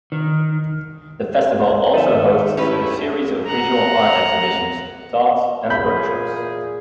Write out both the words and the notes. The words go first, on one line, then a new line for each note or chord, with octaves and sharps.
The festival also hosts a series of visual art exhibitions, talks and workshops.
D#3
D#3 D#4 A4 E5
A3 C#4 E4 G4 B4
F#5 A#5
A#2 E3 G#4 B5 G6